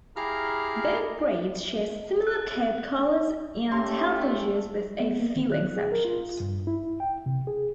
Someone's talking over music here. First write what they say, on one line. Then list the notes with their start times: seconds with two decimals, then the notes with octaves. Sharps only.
Both breeds share similar coat colors and health issues with a few exceptions.
0.16 E4 G4 G#4 F5 A#5 F6
2.27 F#6
3.72 A3 C#4 G4 C6
5.00 B3
5.20 A#3
5.36 D#3
5.52 F#6
5.76 G#4
5.92 A#4
6.05 F4
6.40 G2
6.67 E4
7.00 G5
7.26 C3
7.47 G#4